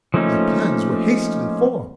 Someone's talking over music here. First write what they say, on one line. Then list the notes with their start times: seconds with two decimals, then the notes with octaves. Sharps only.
My plans were hastily formed.
0.14 F3 A3 A#3 C#4 D#4